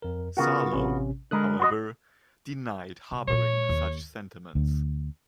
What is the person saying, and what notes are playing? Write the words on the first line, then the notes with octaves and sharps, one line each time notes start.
Sarlo, however, denied harboring such sentiments.
F2 A#4
C#3 B3 F4 F#4 A#4 F#5
A1 C3 C#4
D3 G#3 A#4 B5 D#6 F#6
F#4 C5 D#5
C3
A#2 G#3 C#5
D#2
D2